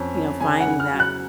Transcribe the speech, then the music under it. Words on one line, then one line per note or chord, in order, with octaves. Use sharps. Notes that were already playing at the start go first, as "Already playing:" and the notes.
you know, finding that
Already playing: F2 C#4
C#4
C#3 G#5
F#5
C#3
F6
F#3
F#6